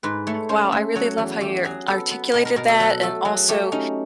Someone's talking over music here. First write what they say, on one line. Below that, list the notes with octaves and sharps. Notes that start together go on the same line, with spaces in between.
Wow, I really love how you're articulated that and also
G#2 B4
A3 C#5
C#4 C5
A3
F#3 C#5
E2
E2 G4
F#3 G#4
B3 A4
B3
B2 A#4
A#4
B2 A#4
A4
F#3 A4
A3 A4
F#3 G#4
A3 G4
C#4 D#4